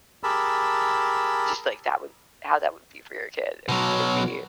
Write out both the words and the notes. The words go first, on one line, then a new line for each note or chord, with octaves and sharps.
just, like, that would how that would be for your kid. It would it would be
G4 G#4 A#4 A5 B5 E6
B2 F#3